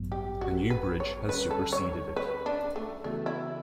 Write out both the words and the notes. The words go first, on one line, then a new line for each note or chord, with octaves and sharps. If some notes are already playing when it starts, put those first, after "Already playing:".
A new bridge has superseded it.
Already playing: A1 G2 F#3 B3
G4
F#4
B4
C#5
D2 D3 G3 C#4 B4
A4
C#5
B4
D4
A3
C#3 E3 A3 B3 F#4
E4